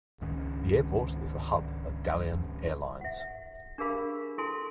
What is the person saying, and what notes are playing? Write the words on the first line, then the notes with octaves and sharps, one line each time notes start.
The airport is the hub of Dalian Airlines.
C#2 G#2 D#3 C#4
E5 F#5
D4 G4 G#4 A#4 F5 B5
E4 A4 G#5 A5 C6